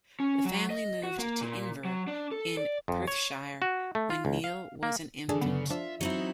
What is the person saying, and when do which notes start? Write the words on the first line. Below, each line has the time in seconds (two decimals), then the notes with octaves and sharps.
The family moved to Inver in Perthshire when Niel was an infant.
0.20 C#4
0.45 F#3
0.70 D#5
1.03 F#4
1.19 A#3
1.41 A#2
1.85 F#3
2.07 D4
2.31 A4
2.57 D5
2.88 F2
3.08 C#5
3.62 F#4
3.95 A3
4.10 F4
4.25 C#2
4.44 F5
4.83 A#3
5.29 D3 E3 D4 G#4
5.41 F#2 C#3 B3
5.70 F3 D4 F4 E5
6.01 F#3 C4 D#4 E4